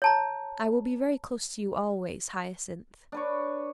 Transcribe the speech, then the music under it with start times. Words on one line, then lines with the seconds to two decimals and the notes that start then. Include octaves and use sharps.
"I will be very close to you always, Hyacinth."
0.02 C#5 A5 A#5
3.12 D4 B4 C#5